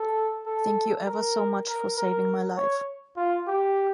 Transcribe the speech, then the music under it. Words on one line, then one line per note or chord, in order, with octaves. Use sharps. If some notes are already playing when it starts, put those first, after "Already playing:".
Thank you ever so much for saving my life.
Already playing: A4
A4
A#4
A#4
A#4
C#5
F4
G4